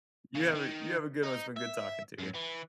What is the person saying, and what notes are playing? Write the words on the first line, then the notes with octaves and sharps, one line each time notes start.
you have a you have a good one, it's been good talking to you.
E2 C#3
D#3
D#4
E5
F#2
E3